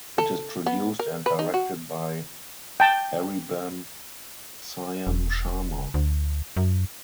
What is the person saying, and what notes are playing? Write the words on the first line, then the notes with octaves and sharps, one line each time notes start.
It is produced and directed by Aribam Syam Sharma.
A4
B3
A#4
B4
D#4
F#4
G5 A5
E1
D2
F#2